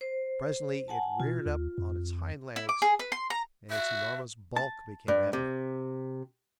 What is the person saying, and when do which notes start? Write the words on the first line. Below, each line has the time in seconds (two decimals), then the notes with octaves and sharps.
Presently it reared up on its hind legs and its enormous bulk became evident.
0.01 C5
0.88 F#5 G#5 A5
1.20 B2 F4
1.46 D#2
1.78 F2
2.56 E4
2.69 D6
2.82 G#4
2.99 B4
3.12 C6
3.30 A#5
3.71 F#4 E5
4.56 A5
5.08 G2
5.33 C3